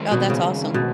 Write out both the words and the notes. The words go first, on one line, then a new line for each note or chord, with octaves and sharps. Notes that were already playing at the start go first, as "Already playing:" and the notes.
Oh, that's awesome.
Already playing: G2 D#3 G#3 C4
B2
C#3
B2